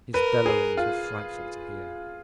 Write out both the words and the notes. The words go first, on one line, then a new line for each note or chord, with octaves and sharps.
His bellowings were frightful to hear.
A#4 B4
G#4
F4